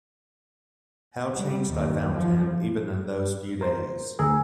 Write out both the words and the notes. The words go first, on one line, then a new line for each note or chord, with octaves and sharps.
How changed I found him, even in those few days!
G3
D#2
F3
A#4 C5
D2 G#4 A#4 G#5 E6